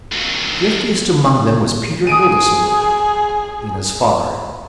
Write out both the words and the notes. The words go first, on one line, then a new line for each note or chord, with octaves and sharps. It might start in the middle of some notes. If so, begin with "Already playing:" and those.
Thriftiest among them was Peter Hildesmuller, Lena's father.
D#2 F#3
G#4 D#6 D7 D#7